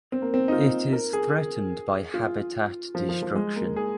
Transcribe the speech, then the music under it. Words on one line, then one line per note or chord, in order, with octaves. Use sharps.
It is threatened by habitat destruction.
C4
A#3
C4
D#4
F4
A#4
G#4
F4
F3
F3
F3
G#3
A#3
G#4